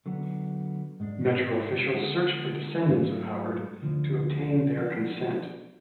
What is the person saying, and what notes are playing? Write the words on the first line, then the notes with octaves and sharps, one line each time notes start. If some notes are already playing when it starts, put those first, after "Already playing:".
Metro officials searched for descendants of Howard to obtain their consent.
D3 F#3 B3
G#2 G#3 D4
D3 G#3 B3 F#4 A4
G#2 F#3 A3 F4 A4
D2 D3 F3
F3 B3 D4 F#4 A4